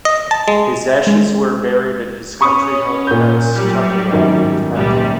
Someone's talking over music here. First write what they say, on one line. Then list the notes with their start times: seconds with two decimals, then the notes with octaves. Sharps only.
His ashes were buried at his country house "Tuckaway" in Connecticut.
0.05 D#5
0.31 A5
0.48 G#3
1.07 G#3
2.41 C#4 B5 C#6 D#6
3.07 A#2 G6
3.54 A2 F#3 G3
4.13 G#1 F#2 D#3
4.75 C#2 A#2 G3